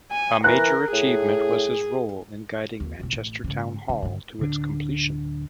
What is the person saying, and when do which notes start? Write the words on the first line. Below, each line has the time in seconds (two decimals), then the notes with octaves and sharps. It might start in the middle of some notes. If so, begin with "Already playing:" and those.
A major achievement was his role in guiding Manchester Town Hall to its completion.
0.12 G#5
0.44 E3 A#4 F#6
0.93 A2 G#4
2.80 D#2
3.00 E2 B2
3.13 A1
3.44 G#2 C#3
3.89 C#3
4.02 G2 D3
4.39 D1 D3 D4